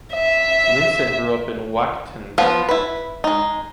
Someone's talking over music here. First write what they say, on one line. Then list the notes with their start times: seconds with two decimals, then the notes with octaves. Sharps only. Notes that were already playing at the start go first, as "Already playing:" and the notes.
Linssen grew up in Wachtendonk.
0.15 E5
2.38 F3 B3 F4 B4
2.69 E4 B4
3.24 G#3 D#4